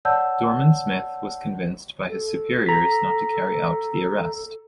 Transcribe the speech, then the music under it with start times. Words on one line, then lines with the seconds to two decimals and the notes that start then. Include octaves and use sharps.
Dorman-Smith was convinced by his superiors not to carry out the arrest.
0.05 C#5 D5 F#5 A5 E6 G6
2.09 A4
2.66 A#5 B6